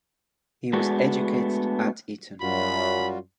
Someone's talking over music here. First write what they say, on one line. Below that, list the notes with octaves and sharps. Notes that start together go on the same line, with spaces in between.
He was educated at Eton.
G#3 A3 B3 D4 F#4 G#4
F#2 G3 F4 F#4 B5